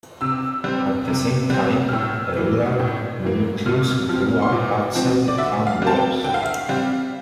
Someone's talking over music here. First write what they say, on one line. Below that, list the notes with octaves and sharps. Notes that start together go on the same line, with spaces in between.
At the same time, a rural nucleus grew up outside the town walls.
C3 E6
G3 C4
C3
G3 C4
F6
A2 E6
E3 A#3
A2
E3 A#3
A#2 F6
F6
F3 C4 F6
C6
A#2 D6
F3 C4
D5
D3 E5
F5
G3 C4 A5
G5
D3 G5
F5
E5
F5
G3 C4